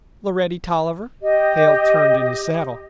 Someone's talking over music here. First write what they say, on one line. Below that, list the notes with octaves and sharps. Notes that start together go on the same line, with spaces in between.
"Loretty Tolliver." Hale turned in his saddle.
G4 D#5